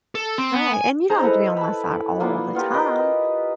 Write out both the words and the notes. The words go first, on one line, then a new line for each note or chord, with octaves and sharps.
Right, and you don't have to be on my side all the time,
A4
C4
B3
G#5
G#3 D#4 C5 A#5
E4 A4 B4
A5 B5
A#3 B3 D4 F4
B3 F4 G4 A#4
A#4 B4 D#5